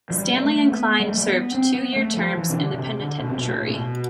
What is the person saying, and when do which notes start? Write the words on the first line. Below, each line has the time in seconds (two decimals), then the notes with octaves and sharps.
Stanley and Kline served two year terms in the penitentiary.
0.10 F3
0.17 G3
0.33 B3
0.44 A3
0.72 B3
1.00 G3
1.08 A3
1.17 G3
1.27 B3
1.54 C4
1.75 B3
1.96 A3
2.17 F3
2.37 E3
2.49 C3
2.57 D3
2.74 B2
2.79 C3
3.00 D3
3.20 B2
3.29 C3
3.38 B2
3.48 A2
3.67 C3
3.75 B2